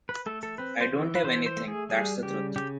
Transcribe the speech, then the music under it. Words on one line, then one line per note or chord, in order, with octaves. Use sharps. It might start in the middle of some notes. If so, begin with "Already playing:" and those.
I don’t have anything, that’s the truth!
B4
A3 A4
A4
C4 B4
C5
E3
B4
E3 C5
C5
A3
G#4
G3 G#4
C#3 G4
C#3 G4